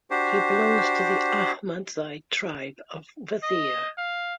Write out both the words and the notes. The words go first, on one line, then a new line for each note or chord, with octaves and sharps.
He belongs to the Ahmadzai tribe of Wazir.
D4 F#4 G4 C5
D#5
F5